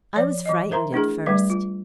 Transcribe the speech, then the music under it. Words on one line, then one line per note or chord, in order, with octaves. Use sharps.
I was frightened at first.
F3 C#5 D5
E3 D#5
A#4 C5 E5 A#5 C6
A3 D4 E4 G#4
G3 A3 B4 E5
F4